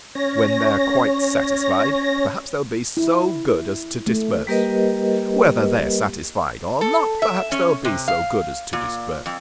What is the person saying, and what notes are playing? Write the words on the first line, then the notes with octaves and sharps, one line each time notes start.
When they’re quite satisfied, perhaps they’ll be so good as to disperse; whether they’re satisfied or not, perhaps they’ll be so good as to disperse.
C#4 C#5 A#6
E4
A3
G3 A#3 G4 A#4 B4 D#5
A4
E5
C#4
C3
F5
A#2
F2